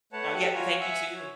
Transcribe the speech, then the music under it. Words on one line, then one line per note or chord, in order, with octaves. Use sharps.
Oh, yeah, eh, thank you, too.
A3 B4 C#5 F#5 A5
G4 A4 F#5
F4 F#4 C#5 G#5 A#5
E5 F#5 G#5 E6
C#5